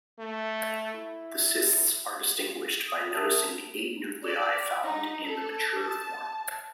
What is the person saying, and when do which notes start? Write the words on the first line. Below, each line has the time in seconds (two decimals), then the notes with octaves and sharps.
The cysts are distinguished by noticing the eight nuclei found in the mature form.
0.19 A3
0.94 E4
2.88 D#6
3.14 A#4 E5 A5
4.25 D5
4.83 D#4
5.25 A4
5.80 A5